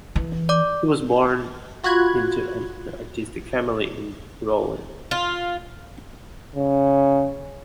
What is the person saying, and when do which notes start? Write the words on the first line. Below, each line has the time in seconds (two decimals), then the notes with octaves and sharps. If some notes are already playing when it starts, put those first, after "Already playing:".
He was born into an artistic family in Rouen.
0.16 E3
0.49 D5 D6
1.84 F4 F#4 B5 F#6 G#6
5.11 F4
6.56 C#3